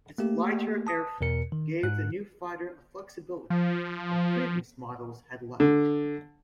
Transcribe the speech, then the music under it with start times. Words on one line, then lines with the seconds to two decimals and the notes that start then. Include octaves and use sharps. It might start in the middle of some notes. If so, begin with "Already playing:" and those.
Its lighter airframe gave the new fighter a flexibility that previous models had lacked.
0.18 A3 A#3 G4
0.87 A5 D#6
1.21 E2 B2 A#4 C#7
1.52 D#3
1.83 G#2 F#6
3.50 F3
5.60 D3